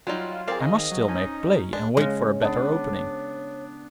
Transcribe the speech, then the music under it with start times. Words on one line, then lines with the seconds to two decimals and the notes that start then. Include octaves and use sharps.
I must still make play and wait for a better opening.
0.07 F#3 G3 D#4 F4
0.48 C4 G#4 A#4 D5 F5
0.60 D#3 D#5
0.92 F#3
1.08 C#4 D#4 G#5
1.73 G#3 D4
1.97 C#3 G#3 C#5
2.41 B3 D4